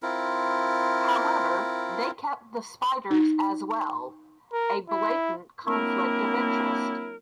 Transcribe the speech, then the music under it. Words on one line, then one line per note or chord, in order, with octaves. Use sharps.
However, they kept the Spiders as well-a blatant conflict of interest.
C4 E4 F4 A#4
D#4
A#4
E4
F#3 A#3 C4 D4 E4 A#4